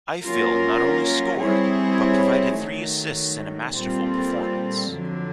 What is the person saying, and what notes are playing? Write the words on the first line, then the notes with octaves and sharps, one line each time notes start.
Ifill not only scored, but provided three assists in a masterful performance.
F#3 A#3 C#4 F4 A#4
G3 C4 E4 G#4 C#5
D#3 F#3 A3
A#2 G3 C4 F4 A4
F2 D3 F#3